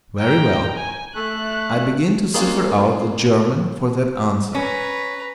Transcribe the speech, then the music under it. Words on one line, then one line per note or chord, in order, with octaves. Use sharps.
Very well, I begin to cipher out the German for that answer.
G5 A#5
G#5
A3 F#6
G#3 A#3 C4 C#4 F4
C#4 B4 A#5